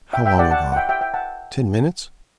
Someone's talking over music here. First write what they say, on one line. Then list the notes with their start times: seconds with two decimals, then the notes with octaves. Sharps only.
How long ago? Ten minutes?
0.13 E5 G5
0.26 E5 G5
0.39 D5 F#5
0.51 F#5 A5
0.72 F#5
0.76 E5 G5
0.89 E5 G5
1.01 E5 G5
1.14 F#5 A5